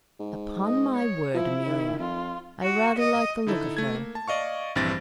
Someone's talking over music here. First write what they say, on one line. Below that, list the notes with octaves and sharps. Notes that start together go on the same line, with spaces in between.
'Upon my word, Amelia, I rather like the look of her.
G#2
D#5
C#5
F3 E4
D#3
F2 F4
F#4
D#5
D3 D#4 E4 A4
A3 G#6
A#3
A5
D5 D#5 F5 C#6
A#1 G2 E3 C4 A6 A#6